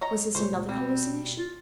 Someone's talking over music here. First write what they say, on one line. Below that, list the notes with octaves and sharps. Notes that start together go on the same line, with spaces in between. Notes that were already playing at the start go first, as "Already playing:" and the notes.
Was this another hallucination?
C#5 D#5 A#5
C#2 A#2 C5 C#5
B2 G3 C4
F4